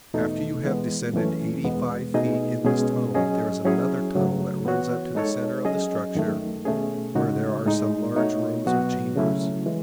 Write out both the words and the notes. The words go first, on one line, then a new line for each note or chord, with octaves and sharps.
After you have descended eighty-five feet in this tunnel there is another tunnel that runs up to the center of the structure where there are some large rooms or chambers.
E2 B2 A3 D#4 A4
E3 G#3 B3
F#2 E3 A3 C#4
E2 B2 G#3 B3
B2 A3 D#4 G#4 D#5
B2 G#3 C#4 G#4
F#3 C#4 G#4 D#5
F#3 C#4 E4 G#4 C#5
F#2 C#3 F#3 A3
E3 B3 F#4 C#5
G#3 D#4 A4 C#5
F#3 C#4 G#4 D#5
F#2 D#3 A3
B2 A3 C#4 G#4
C#3 G#3 D#4 F#4
A2 G#3 D#4
B2 A3 D#4 F#4 C#5
B2 F#3 B3 F#4
C#3 F#3 A3 C#4 E4
E3 G#3